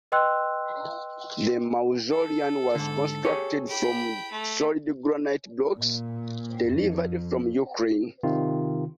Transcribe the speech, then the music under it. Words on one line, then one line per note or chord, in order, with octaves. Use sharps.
The mausoleum was constructed from solid granite blocks, delivered from the Ukraine.
B4 D#5 G5 C6 E6 F#6
A4
G#2 D3
G4 G#4 C#5
G5 B5
A3
A#2
F2
C3 D#3 F4